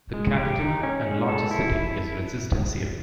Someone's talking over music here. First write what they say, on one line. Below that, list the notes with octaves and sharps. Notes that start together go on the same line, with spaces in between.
The capital, and largest city, is Resistencia.
G#3
G4
D#4
C#4
G#3
A4
E4
E4